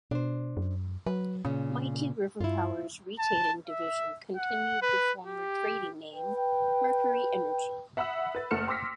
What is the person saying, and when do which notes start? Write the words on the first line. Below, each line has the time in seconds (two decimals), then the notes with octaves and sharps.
Mighty River Power's retailing division continued the former trading name Mercury Energy.
0.11 B2 D4 C5
0.57 F#2
1.06 F#3 B4
1.45 A#2 C#3 C#4
2.41 G2 E4 F4
3.19 A5
3.67 E5
4.37 F#5
4.82 B4
5.26 G4
6.13 B4 G5
7.97 E5 F#5 B5 D#6 E6
8.35 B4 A6
8.51 F#1 A3 F#5 F6 C#7 E7
8.67 G5 C6 D6 E6 A#6 B6